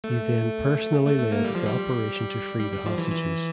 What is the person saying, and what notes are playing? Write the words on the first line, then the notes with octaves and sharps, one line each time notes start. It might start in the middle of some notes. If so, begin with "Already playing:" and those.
He then personally led the operation to free the hostages.
A3
A3
A3
A#3
G3
F3
G3
G3
G3
F3
E3
E3